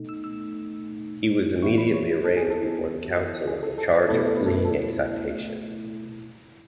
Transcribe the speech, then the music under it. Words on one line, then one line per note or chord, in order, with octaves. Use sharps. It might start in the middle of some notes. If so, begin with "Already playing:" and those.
He was immediately arraigned before the council on the charge of fleeing a citation.
Already playing: B2 A3 D#4
E6
E6
E3 B3 E4 C#6
B5
C#5
A4
G#4
A4
G#4
A4
A4
B4
B2 A3 E4 A4
B4
A4
B4
A4
B4
A4